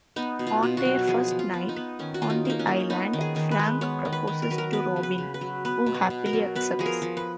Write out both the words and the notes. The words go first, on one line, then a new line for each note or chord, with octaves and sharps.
On their first night on the island, Frank proposes to Robin, who happily accepts.
B3 D#4
B2
F4
B2
F#4
F#3
F3 G#4
F3
F4
B3
D#4
B3
D#3 C#4
F#4
D#3 F4
D#4
A#3 D#4
C#4
A#3
B3 D#4
D#3
G#4
D#3
B4
G#3
B3 C#5
D#3
B4
D#3
A#4
F#3 B4
A#4
B3 B4
C#3
B4
C#3
B4
F#3
B3 B4
B2
B4
B2
A#4
F#3
B3 B4
F3 G#4
A#4
F3
B4